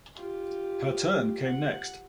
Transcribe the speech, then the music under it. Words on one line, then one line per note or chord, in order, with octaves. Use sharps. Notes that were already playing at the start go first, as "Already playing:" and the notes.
Her turn came next.
F4 G4
F#5